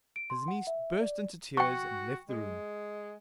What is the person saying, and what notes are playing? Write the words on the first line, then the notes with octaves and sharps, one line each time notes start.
His niece burst into tears and left the room.
D7
C6
F#5
E5
D5
F#4 G5 C#6
G#3